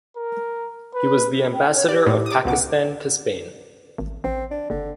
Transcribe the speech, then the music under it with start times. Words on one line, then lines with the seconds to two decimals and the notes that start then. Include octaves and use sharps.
He was the ambassador of Pakistan to Spain.
0.17 A#4
0.95 B4
1.54 G5
1.75 C#5
1.89 G4 D5
2.07 A2
2.26 D6 D#6
2.45 C#2 B2 F#5 D6
3.98 G#1
4.24 A1 C4
4.51 D4
4.70 F#1 D3